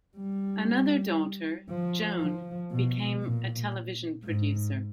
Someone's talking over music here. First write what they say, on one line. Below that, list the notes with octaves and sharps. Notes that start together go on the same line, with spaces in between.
Another daughter, Joan, became a television producer.
G3
F3
F3
B2
A#2
G#2